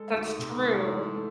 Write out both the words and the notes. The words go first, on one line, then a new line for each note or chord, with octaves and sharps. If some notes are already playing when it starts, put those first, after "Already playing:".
That's true,
Already playing: G#3 A4
D2 G#2
C3
A3
E3
A3